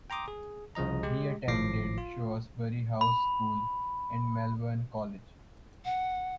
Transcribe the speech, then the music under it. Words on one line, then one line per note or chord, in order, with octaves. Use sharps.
He attended Shrewsbury House School and Malvern College.
G5 A#5 C6 D6 D#6
G#4
C2 C#3 F3 D#5 A#5
G#3 G4
G#1 A2 F3 D6 A#6 C7
F4
B5
F#5